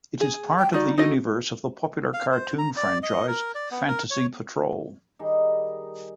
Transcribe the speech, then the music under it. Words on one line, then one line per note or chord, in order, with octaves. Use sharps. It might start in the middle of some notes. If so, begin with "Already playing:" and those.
It is part of the universe of the popular cartoon franchise "Fantasy Patrol".
G#4
G5
G3 D#4 F#4 D5
D#4 F#4 A4 D#5
F5
C5
A#5
D5
D#5
A#4
D5
B3
A#4
C#5
D#3 G3 D#4 G#4